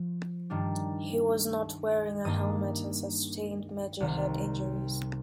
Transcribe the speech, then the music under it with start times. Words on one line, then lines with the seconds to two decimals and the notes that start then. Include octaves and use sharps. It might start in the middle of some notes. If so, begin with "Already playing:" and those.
He was not wearing a helmet and sustained major head injuries.
Already playing: F3
0.50 G2 D#3 G3 D4
2.25 G2 D#3 A#3 D4 D#6
4.00 C2 C3 D#3